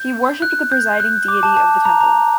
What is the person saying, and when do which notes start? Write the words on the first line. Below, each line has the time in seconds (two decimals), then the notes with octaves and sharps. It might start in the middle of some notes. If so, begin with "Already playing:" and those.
He worshipped the presiding deity of the temple.
Already playing: G6
0.42 F#6
0.72 G6
1.00 F#6
1.28 D6
1.43 A5
1.57 A5
1.85 A#5
2.00 A#5